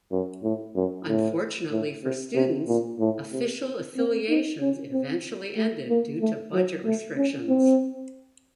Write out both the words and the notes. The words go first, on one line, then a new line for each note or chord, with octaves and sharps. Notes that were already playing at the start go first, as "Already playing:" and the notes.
Unfortunately for students, official affiliations eventually ended due to budget restrictions.
F#2
A2
F#2
A2
A2
C3
C3
A#2
A2
C3
C4
D#4
C#4
C4
A3
A#3
A3
F#3
A3
C#4
C4